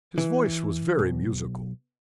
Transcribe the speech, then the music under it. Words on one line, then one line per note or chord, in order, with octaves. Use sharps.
His voice was very musical.
E3
B1